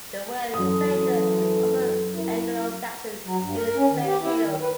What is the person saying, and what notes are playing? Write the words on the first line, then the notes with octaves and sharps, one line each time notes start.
The word Claydon is also Anglo Saxon, and means 'clay hill'.
F#2 E3 A4 D#6
E4 A#4
F#3
G2
A#4
C#4
D#3
G4
E4
D#3
B4